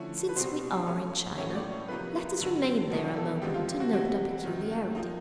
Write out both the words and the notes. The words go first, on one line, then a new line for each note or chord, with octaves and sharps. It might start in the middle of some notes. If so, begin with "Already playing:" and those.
Since we are in China, let us remain there a moment to note a peculiarity.
Already playing: D3 F3 A3 C#4 E4
B4
C2 B2 G3 C4 C5
F3 A3 C#4
A2 F#3 A3 C#4 E4 C#5
D5
C#5
C3 F3 A#3 D#4 B4
G2 D3 F#3
C#2 B2 F#3 B3 D4
A4
F#2 D3 F3 G#3 C4 G4
F4
G4
F#4
C3 E3 G3 C4 F#4
F#2 D#3 F#3
F3 A#3 D#4